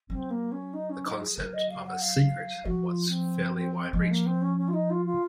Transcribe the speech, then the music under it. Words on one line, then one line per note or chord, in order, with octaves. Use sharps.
The concept of a "secret" was fairly wide reaching.
F#3 C4
A#3
C#4
D#4
C#4
D#4
G#4
F#3 A#4
D#5
F5
F#5
F5
F3 F#4
F4
C4
F3 G#3
A#3
C4
C#4
C#4
F4
D#4
F4
F4